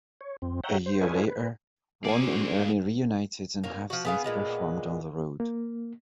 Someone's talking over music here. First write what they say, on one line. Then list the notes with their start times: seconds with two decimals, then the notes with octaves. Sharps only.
A year later, Ron and Ernie reunited and have since performed on the road.
0.21 C#5
0.42 F2 C4
0.64 C#5 E5 F#5 G5 A#5
0.86 C5
1.01 F4 A4 B4 C#5 D#5 G#5
1.28 B4
2.05 A#3 G#4 D5
2.21 C#4 F#4 C5
2.55 G2 F5
3.64 A#3 C#4
3.90 F3 F#4
4.05 B3 G#4 F5
4.24 A#2 G#3 B3
5.40 A#3